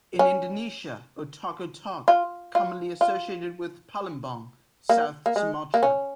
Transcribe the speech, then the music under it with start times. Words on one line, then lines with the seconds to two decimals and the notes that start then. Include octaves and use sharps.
In Indonesia, otak-otak commonly associated with Palembang, South Sumatra.
0.19 C#4
2.08 F4
2.55 F4
3.01 F4
4.89 A#3
5.26 A#3
5.36 G#3
5.74 A#3
5.83 C#4